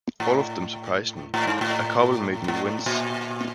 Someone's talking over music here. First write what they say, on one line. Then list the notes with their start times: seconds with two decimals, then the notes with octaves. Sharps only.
All of them surprised me; a couple made me wince.
0.20 A2
1.34 A2
1.47 G#2
1.61 A2
2.48 A2
2.86 A#2